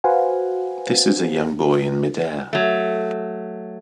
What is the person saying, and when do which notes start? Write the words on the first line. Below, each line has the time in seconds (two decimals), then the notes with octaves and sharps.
This is a young boy in midair.
0.04 F#4 B4 C5 F5 F#5 G#5
2.53 F#3 A3